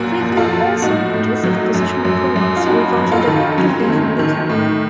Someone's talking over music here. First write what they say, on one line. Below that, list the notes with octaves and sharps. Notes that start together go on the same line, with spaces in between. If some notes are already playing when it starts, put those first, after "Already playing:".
Frith also noticed the compositional problems regarding the point of view from the camera.
Already playing: F#2 A#2 F#4 A#4
F3
F#4
F4 A4
F3
A2 D#4 F#4
A2
F#3
F#2
F#2
F#2
F4
F2 D#4 F#4
F#3
F4 A4
D#3
F#3 C#4
C4
A#3
D#3 A3 C4
D#3
A2